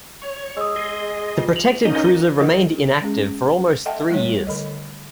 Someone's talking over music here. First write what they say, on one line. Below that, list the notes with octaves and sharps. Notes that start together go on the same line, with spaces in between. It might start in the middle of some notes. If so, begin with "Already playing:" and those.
The protected cruiser remained inactive for almost three years.
C#5
G#3 D#6 E6
G#4 D#5
E3 F4
F7 F#7
A#3 C#4 D#4 D#5
F3 A#3 E4 A4 A#4 D#5
G#3 C#4 G#4
A4 D#5 E5 F#5 G5 A5
G3 A3 E4 C#5
D3 A4 D#5